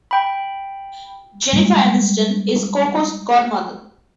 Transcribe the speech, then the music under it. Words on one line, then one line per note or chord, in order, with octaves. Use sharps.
Jennifer Aniston is Coco's godmother.
G5 B5
G3 G#3 A#3